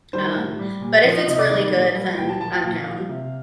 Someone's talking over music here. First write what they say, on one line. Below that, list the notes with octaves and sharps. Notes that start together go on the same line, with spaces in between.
Um, but if it's really good, then I'm down.
D#3 G3 C5
A2
G3
A#2
F3
C3 D#5
D5
D#3 G3 D5
D5
A#2
G3
A#2 G5
A5
F3 A5
G5
A#2 F5
F3
C3